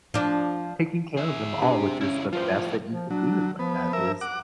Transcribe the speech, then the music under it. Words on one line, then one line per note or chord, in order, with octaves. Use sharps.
taking care of them all, which is the best that you can do, and that is,
F3 D4
G#4 E5
C3 D4 G4 G#4
C#3 C#4 E4
A2 F3 F4 B4 C5
F3
F#3 D4
F3 B3
A#4 E5
F#5 D6